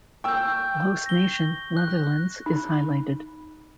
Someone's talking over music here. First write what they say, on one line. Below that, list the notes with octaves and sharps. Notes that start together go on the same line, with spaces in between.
The host nation, Netherlands, is highlighted.
G5 C#6 E6 G6
A#6 G7
F#6
D#4